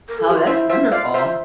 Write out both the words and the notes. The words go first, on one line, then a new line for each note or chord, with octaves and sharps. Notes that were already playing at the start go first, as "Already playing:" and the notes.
Oh, that's wonderful.
A#4
A4
G4
F4
E4 C5 E5
C5 E5
F4 D5 F5
C5 E5